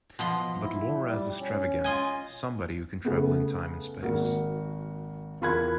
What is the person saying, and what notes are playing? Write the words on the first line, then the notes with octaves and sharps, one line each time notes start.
But Laura is a Stravagante, somebody who can travel in time and space.
B2 F3 D#5
E4
G3
C#4
F4 D#5 G#5
C#3 A3 B3
G#1 A#3 F#4 A#4
E2 F4 A#4 B5 F#6 G#6